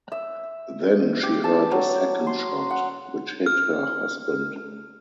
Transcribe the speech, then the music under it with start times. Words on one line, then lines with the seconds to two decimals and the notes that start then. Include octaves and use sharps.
Then she heard a second shot, which hit her husband.
0.12 E5
1.23 G4
1.44 A5
1.71 F#3
2.27 C6
2.70 F#5
3.46 F6